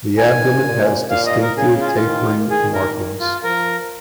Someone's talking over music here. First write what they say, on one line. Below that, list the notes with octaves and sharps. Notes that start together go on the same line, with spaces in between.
The abdomen has distinctive tapering markings.
D#3 G#5
A#2
A#2 F5
D#5
A#4
C#3 G#4
F4
G#4
F4
D#3
D#3 G#4
A#4
F4
F3 A#4